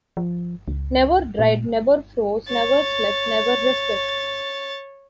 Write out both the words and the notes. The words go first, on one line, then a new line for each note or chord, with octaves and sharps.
Never dried, never froze, never slept, never rested.
F3
C#2
A#2
C#5 A6